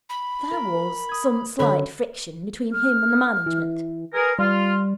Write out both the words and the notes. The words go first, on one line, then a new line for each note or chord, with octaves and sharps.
'There was some slight friction between him and the management.
B5
A#4
D#6 G#6
D3 F#3 C#4 A4 C#5 B5
F6
E3
G#4 A#4 B4
G3 F4 C6 F6